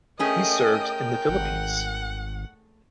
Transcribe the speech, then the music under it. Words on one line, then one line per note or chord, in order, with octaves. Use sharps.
He served in the Philippines.
A3 C#4 G#4 A#4 D#5 G5
G#1 F#5